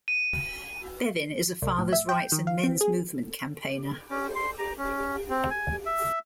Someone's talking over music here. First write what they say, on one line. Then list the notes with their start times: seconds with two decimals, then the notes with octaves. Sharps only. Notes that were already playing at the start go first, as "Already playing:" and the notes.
Bevin is a fathers' rights and Men's movement campaigner.
0.08 D#7
1.62 C2
1.79 A2
1.93 E5
2.09 G5
2.32 D#3
2.47 F5
2.64 C4
2.81 G#4
4.10 C#4
4.35 C6
4.58 A#5
4.78 C#4
5.30 C4
5.50 G#5
5.86 E5